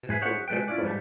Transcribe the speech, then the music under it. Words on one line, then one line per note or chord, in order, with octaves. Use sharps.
That's cool, that's cool.
G#2 G#4 B4 E5
G#4 C5 C#5 E5 F#5
G#3 A3 B4 G5
C#4 E4 F4 D5
G#2 G3 A3